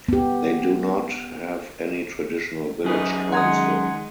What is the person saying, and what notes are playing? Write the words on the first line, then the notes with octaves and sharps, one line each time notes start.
They do not have any traditional village council.
B3 G4
F#2 D#4 G#4 B4
D#3 G#3 D#4 F#5 A#5 C6 D#6 G#6